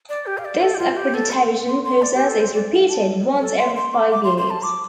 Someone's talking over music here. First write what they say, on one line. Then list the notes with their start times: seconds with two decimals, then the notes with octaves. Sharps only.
This accreditation process is repeated once every five years.
0.09 D5
0.26 G4
0.38 F5
0.45 D5
0.61 A4
0.74 G4
0.79 F4
0.97 G4
1.14 A4
1.32 C6
1.67 C6
1.85 C6
2.02 D5
2.14 G4
2.28 A4
2.40 C5
2.54 D5
2.72 F5
2.89 A5
3.41 A4
3.58 C6
3.76 C6
3.94 D6
4.10 D6
4.24 C6
4.38 C6
4.50 A5
4.63 D6